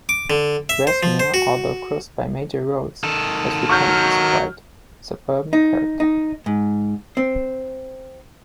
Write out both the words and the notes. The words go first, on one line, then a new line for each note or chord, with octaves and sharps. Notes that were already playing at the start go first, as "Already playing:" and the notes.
Grasmere although crossed by major roads has retained its quiet suburban character.
D6
D3
E5
C5
F3
C5
F#4
D#3 A4
F#3 C#6 F6 G6
D#4
D#4
G#2
C4